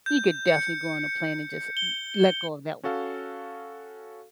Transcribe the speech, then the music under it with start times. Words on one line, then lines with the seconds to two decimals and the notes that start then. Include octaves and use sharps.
you could definitely go on a plane and just l let go of that one.
0.06 G6
0.48 C#7
1.77 G7
2.83 C#4 F#4 A4 F5